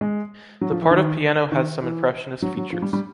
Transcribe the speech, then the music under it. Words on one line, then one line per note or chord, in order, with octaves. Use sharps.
The part of piano has some impressionist features.
G#3
F#3
F3
E3
D#3
D#3
E3
F#3
F#3
F3
G3
G3